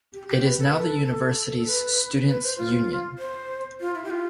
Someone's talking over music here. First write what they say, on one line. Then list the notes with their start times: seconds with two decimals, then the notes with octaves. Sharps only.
It is now the university's Students' Union.
0.13 G4
0.29 G4
0.44 B4
0.59 A4
0.69 B4
0.79 A4
1.05 A4
1.56 A4
1.67 B4
2.27 B4
2.43 C5
2.58 F4
3.19 C5
3.80 F4
3.95 E4
4.04 G4
4.11 F4